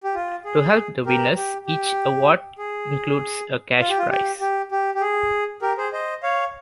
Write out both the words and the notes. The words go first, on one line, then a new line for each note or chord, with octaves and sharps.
To help the winners, each award includes a cash prize.
G4
F4
G#4
G4 A#4
G4
G4
G#4
F4
G4
F4
G4
G4
G4
G4
G#4
G4 A#4
G#4 C5
C5 D#5
C#5 F5